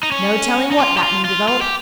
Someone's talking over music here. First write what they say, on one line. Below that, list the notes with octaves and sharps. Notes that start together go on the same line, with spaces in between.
No telling what that may develop.
D#4
C#4
D#4
F4
G4
F4
F4
F4
G4